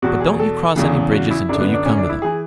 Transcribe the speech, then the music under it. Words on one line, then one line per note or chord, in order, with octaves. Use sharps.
But don't you cross any bridges until you come to them.
E2 B2 F#4
G#4
A4
E2 C#3 E3
F#4
E4
F#2 D3 D4
B3
D4
C#4
D4
E4
E3 G#4